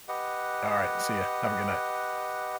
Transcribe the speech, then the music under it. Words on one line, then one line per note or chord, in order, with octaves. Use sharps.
Alright, see ya. Have a good night.
G4 B4 D#5 F#5